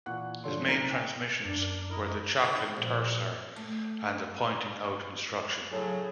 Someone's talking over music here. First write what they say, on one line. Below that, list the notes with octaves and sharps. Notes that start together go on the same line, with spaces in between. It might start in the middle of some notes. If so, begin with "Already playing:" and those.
His main transmissions were the Chokling Tersar and the pointing-out instruction.
A#2 E3 F#5 C#6 F#6
D3 F3 A4 C#5 D5 C6
B1 D#4 A#4 A#5 F6
G5 G#5 D6
F#2 D4 A#4
E4 A#4 D#5
D#3
A#1
A3
A2 C#3 F#3 G#4 A4